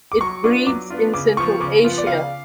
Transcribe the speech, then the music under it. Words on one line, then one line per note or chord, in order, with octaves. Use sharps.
It breeds in central Asia.
D6
F#3 C#6
B3 D4 F4 D6
F#3 D6
B3 D4 F4
C#3 D6
F3 B3 F4 C#6
C#3 D6
F3 B3 F4
D5
C#3 F5